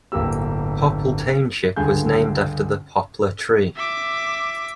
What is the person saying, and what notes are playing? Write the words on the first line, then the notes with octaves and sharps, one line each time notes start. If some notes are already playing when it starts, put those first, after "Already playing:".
Popple Township was named after the poplar tree.
D1 G1 G2 A#3 G4 E6
C#2 G2 D3 G#4 G#5 G6
E5 D6